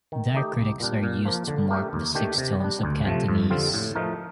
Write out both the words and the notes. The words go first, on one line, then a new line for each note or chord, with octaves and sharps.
Diacritics are used to mark the six tones of Cantonese.
D#3
A3 D#4 G4
C2
A#2 G3 D4
A#2
F3 A#3
D3
A3 D4 G4 A#4
D#2
D#3 A3 D4 G4
C3
G3 D4
D2
C3 F3 A3
F2
D3 G3 C4 F4
A2
F3 A3 D#4 A#4